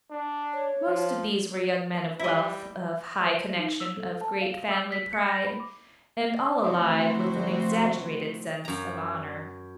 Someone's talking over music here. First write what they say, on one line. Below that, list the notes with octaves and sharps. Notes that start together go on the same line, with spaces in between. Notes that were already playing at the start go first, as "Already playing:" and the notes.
Most of these were young men of wealth, of high connection, of great family pride, and all alive with an exaggerated sense of honor.
D4
C#5
F3
G3 E4 D#5
C5
D#4
E6
A4
A5
F5
E6
B6
C#7
A#6
B5
D6
D2 C3 F3 E4 F#4 C5
F#2 A#5